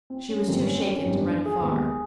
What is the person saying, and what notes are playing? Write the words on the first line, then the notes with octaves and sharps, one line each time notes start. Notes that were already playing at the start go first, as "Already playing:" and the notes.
She was too shaken to run far.
C4
C#4
G#1 F#2 D3 G3 A#3 C4
C#4
C4
C#4
G#1 F#2 D#3 G3 B3 C#4
D4
G#4
D#2 D#3 G#3 B3